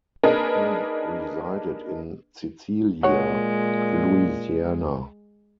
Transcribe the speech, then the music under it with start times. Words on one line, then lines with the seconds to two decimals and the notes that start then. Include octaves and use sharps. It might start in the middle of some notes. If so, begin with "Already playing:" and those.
He resided in Cecilia, Louisiana.
0.23 A#3 D4 D#4 G#4 A#4 B4
3.03 A#2 G#3 F#4 C#5